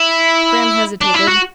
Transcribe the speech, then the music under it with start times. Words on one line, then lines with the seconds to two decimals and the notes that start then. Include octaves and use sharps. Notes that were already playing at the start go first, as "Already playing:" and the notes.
Graham hesitated.
Already playing: E4
1.01 D4
1.14 E4
1.28 F#4